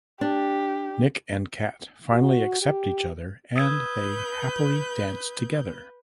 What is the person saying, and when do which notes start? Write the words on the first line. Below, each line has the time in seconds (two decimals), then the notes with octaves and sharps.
Nick and Kat finally accept each other and they happily dance together.
0.21 D4 G4
2.12 F#4
2.62 G4
3.56 B4 D#6 E6 G6 G#6